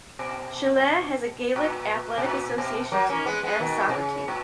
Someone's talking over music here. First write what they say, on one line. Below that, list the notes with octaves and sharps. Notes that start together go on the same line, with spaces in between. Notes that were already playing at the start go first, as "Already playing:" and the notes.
Shillelagh has a Gaelic Athletic Association team and a soccer team.
B2
A#2
B2
A#2
B2
F#3 A#3
A#3 C#4
G#3 B3
G#3 B3
B2 D#3
B2
C#3
A#2